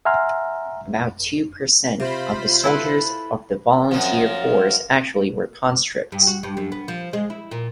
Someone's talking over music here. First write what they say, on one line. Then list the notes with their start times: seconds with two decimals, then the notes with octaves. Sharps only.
About two percent of the soldiers of the volunteer force actually were conscripts.
0.05 E5 F#5 G#5 A#5 C6 F6
2.00 C3 F4 C5 B5
2.64 E4 A4 B4
3.91 F#2 F3
6.12 G2
6.27 F#4
6.43 G2
6.57 F#2
6.72 B3
6.88 F3
7.13 G#3
7.30 E4
7.51 A#2